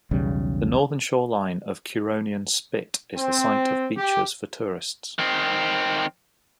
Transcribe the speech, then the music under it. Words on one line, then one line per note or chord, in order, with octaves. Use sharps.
The northern shoreline of Curonian Spit is the site of beaches for tourists.
B1 E2 C#3 G3
C4
G4
D#3 C4